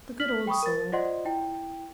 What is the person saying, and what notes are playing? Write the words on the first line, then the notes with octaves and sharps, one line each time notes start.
The good old soul!
F6 B6 F#7
G5 B5 C#6 D#6
A#4 A6
F4 C5 D5 D#5 F#5 C6
E4 G5